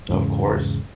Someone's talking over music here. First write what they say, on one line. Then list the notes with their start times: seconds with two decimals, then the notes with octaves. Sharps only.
Of course.
0.09 E2 G#2 C#3